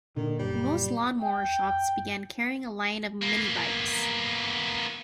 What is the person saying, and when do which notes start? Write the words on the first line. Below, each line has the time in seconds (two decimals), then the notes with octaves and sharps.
Most lawnmower shops began carrying a line of mini-bikes.
0.17 A#2 D3 D#3
0.39 F#1 G3
1.22 G5
3.22 A#3 B3